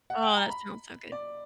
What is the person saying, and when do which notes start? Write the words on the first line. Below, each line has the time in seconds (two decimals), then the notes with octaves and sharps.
Oh, that sounds so good.
0.10 F#5
0.23 G5
0.36 A#5
0.50 B5
1.12 D5